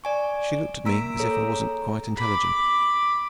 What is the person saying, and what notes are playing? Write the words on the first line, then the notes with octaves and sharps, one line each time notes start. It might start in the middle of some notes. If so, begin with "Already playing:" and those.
She looked at me as if I wasn't quite intelligent.
D5 G#5 C#6
A#3 A#5 E6 B6 D7
G#4 A4 C#5 A#5
B5 D6